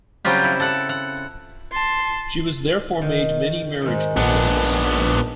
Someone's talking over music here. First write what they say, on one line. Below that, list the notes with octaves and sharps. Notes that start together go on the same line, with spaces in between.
She was therefore made many marriage proposals.
C#3 F#3 G3 C4 F4 G4
E4
A4 F#5
F#5
A5 C6
D#3
G#2 D#3
A#1 B3 D4 F#5